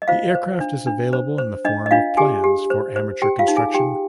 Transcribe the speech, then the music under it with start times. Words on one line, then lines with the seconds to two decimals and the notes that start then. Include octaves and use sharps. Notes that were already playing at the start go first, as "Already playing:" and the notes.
The aircraft is available in the form of plans for amateur construction.
0.02 D#5
0.08 F4 C5 F5
0.35 C5
0.61 D4
0.87 D4
1.13 C5
1.38 C5
1.65 D4 D#5
1.86 D#5
1.91 D4 F4 F5
2.17 G4 G#4 G#5
2.44 G4
2.70 C5
2.96 C5
3.22 G4 G5
3.39 F4 F5
3.48 D#4
3.57 G#4 G#5
3.74 G4 G5